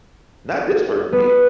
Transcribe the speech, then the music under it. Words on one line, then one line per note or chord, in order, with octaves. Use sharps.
Not this person here.
B3